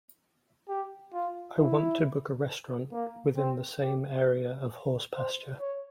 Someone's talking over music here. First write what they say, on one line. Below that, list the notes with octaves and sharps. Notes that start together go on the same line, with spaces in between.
I want to book a restaurant within the same area of Horse Pasture.
G4
F4
E4
A#3
C4
G4
C5
C#5